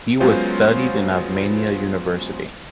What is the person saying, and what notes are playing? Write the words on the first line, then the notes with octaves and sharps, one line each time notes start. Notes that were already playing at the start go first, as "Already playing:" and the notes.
He was studied in Osmania University.
F#3 G#3 B3 C#4 F4 C5